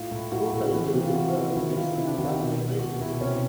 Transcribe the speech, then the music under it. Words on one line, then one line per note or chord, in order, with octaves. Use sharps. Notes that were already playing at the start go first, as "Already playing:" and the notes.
It also includes a poem he has written about their relationship.
Already playing: A2 F4
A2 E4
A2 F#4
A2
E3
C3
F4
E3 F#4
E3
F4
D#3 E4
D#3 F4
C3 E4
D4
D#3 F#4
G4
B2
B2
B2 F#4
B2 E4
C3 C#4